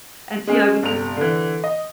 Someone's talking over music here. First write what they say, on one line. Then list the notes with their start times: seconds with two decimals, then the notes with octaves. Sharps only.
and see, I was just
0.47 G#3 C#4 G#4
0.83 G1 C3 F7
1.17 D3 E3
1.64 D#5